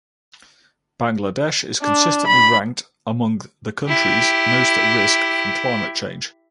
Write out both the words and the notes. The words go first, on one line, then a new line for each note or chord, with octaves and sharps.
Bangladesh is consistently ranked among the countries most at risk from climate change.
D4
B5
E4 G4